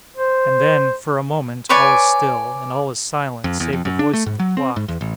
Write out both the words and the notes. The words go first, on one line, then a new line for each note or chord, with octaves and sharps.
And then, for a moment, all is still, and all is silent save the voice of the clock.
C5
B4 C#5 D5 G#5
F2
E2
F2
F#2
D4
A3
G#2
F#3
C4
G#2
E2
A1